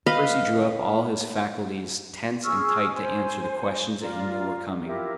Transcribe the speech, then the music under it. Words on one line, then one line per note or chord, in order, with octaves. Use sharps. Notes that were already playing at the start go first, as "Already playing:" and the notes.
Percy drew up all his faculties tense and tight to answer the questions that he knew were coming.
B4 D#5 F5 B5
G#4 C#6 E6 F6
C5 G#5 C6
F4 D5 A#5
E4 F4 G4 A#4